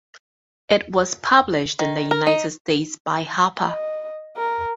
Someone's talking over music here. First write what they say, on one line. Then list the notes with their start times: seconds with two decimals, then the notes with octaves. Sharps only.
It was published in the United States by Harper.
1.79 D#3
2.11 A#4
2.27 D#4
3.66 D#5
4.36 A#4